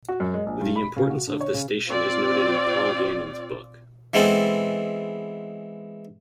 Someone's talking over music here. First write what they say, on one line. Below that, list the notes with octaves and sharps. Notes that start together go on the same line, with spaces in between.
The importance of the station is noted in Paul Gannon's book.
F#4
F#2
G#3
A#1
G2
B5
C#3
F#4
D3
C#5
C#3
C4 F4 D5
E3 G#3 B3 C4 A4